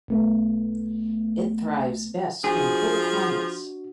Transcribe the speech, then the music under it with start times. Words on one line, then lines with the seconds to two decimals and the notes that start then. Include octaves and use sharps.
It thrives best in cool climates.
0.08 B1 A3 B3
2.44 F3 D4 F#4 G#4